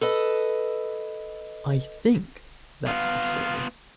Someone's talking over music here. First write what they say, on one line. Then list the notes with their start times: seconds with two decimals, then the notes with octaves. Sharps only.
I "think" that's the story.
0.01 A4 B4 D#5
2.87 B3 F4 F5